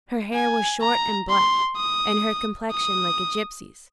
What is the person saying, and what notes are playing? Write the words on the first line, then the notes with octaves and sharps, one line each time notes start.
Her hair was short and black, and her complexion like a gypsy's.
G#5
A#5
C6
D#6
D#6